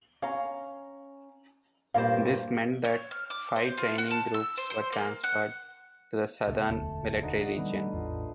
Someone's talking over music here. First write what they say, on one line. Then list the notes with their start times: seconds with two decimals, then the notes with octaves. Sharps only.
This meant that five training groups were transferred to the Southern Military Region.
0.22 C#4 F5 A#5
1.94 G2 A#2 A#3 C5 F5
2.85 C#5
3.11 F6
3.30 D6
3.56 C5
3.78 F4
3.98 F#4
4.11 A5
4.34 E6
4.57 C5
4.70 C5
4.93 A#3
5.24 F#5
6.48 C#2 B2 A3 A4
6.70 E1 D2
7.22 D3 D#4 F#4
7.58 D#3 G3 B3 B4
7.73 D#3 G3 A3
7.93 A1 E2 F4